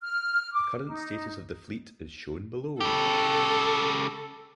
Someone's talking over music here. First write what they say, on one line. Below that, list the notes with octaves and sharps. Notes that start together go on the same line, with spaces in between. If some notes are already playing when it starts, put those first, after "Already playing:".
The current status of the fleet is shown below.
F6
D6
D#4
C#3 G4 A4